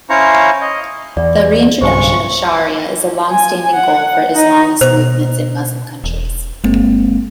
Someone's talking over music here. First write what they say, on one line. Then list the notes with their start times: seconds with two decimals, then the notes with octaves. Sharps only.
The reintroduction of sharia is a longstanding goal for Islamist movements in Muslim countries.
0.10 C#4 E4 C5 F5 A#5 C#6
0.61 D#5
1.17 E2 D5
1.82 B1 G2 C#3 C5 C#6
3.31 G#5
3.73 F#5
4.35 D#4
4.81 B2 C5
6.04 E1
6.64 G1 G#3 A#3 C4